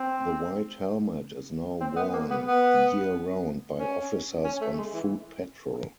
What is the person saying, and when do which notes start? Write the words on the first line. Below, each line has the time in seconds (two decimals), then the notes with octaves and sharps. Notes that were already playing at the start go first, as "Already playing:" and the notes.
The white helmet is now worn year round by officers on foot patrol.
Already playing: C4
1.80 C4
1.96 B3
2.13 A#3
2.30 B3
2.46 B3
3.78 C#4
4.44 C#4
4.61 A3
4.78 G#3
4.94 E3